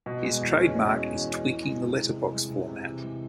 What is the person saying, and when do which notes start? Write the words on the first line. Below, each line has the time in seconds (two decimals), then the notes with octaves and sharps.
His trademark is tweaking the letterbox format.
0.06 B2
0.24 G#3
0.41 E2
0.58 C#4
0.76 B2
0.94 G#3
1.11 E2
1.28 C#4
1.45 E3
1.63 G#3
1.81 C3
1.98 C3
2.15 E3
2.33 G#3
2.50 C3
2.68 C3
2.85 E3
3.03 G#3